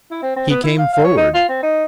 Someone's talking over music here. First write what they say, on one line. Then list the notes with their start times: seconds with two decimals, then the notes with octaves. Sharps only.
He came forward.
0.11 E4
0.22 C4
0.36 C4
0.50 B3
0.63 E4
0.78 F5
0.93 F5
1.04 C#5
1.17 D#4
1.34 F4
1.48 C4
1.62 D#4